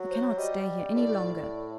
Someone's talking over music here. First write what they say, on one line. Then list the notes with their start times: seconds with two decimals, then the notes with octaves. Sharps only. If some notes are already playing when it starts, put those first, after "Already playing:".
I cannot stay here any longer.
Already playing: F#3
0.10 C5
0.38 G3 D#5
0.95 A2 D5